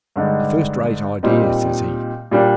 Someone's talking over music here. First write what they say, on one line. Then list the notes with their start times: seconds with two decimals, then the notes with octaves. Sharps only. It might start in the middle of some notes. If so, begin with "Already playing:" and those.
'A first-rate idea,' says he.
0.16 G2 D3 G#3 D#4
1.23 A#2 G3 C4 D#4
2.31 A#2 G3 D4